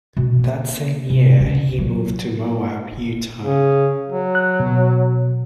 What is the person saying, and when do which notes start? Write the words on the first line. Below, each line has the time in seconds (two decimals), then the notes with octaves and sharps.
That same year he moved to Moab, Utah.
0.17 B2
0.39 A#3
1.10 C3
1.40 C#3
1.78 F#3
3.42 C#3
4.09 F#3
4.35 F#6
4.60 B2